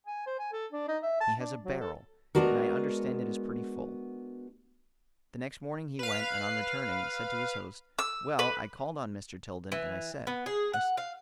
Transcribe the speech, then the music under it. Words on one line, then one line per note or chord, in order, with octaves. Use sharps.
He has a 'barrel,' and I understand it is pretty full." The next morning he went, and on returning said to his host: "Well, I called on Mr. Tilden, and I said: 'Mr.
G#5
C5
G#5
A4
D4
D#4
E5
A5
D4
F#3
A4
G#3 B3 D4 F#4 A#4
B4 F5
E6
B4
E3
B3
G#4
F#5
F5